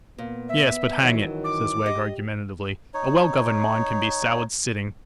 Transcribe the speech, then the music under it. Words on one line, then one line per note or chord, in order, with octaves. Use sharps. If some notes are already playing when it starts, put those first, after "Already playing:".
'Yes, but hang it,' says Wegg argumentatively, 'a well-governed mind can be soured sitting!
A#2 B3
E5
F#2 D#3 E3 F#3
D6
G4 D#5
D#4 C#5